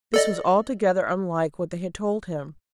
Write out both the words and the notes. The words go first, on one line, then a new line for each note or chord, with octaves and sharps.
This was altogether unlike what they had told him.
A4 D5 D#5